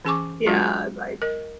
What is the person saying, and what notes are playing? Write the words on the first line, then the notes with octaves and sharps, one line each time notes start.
yeah, like
E3 C#4 G#4 G#5 C#6 D6
F#3 G#3 D4 F4 F#4
A#4 D#5